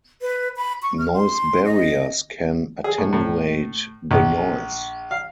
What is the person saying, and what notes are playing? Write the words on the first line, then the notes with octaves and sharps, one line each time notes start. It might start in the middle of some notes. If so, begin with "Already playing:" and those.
Noise barriers can attenuate the noise.
B4
B5
C#6
F6
C6
D#5
G#4
A2
A2
A#1
F5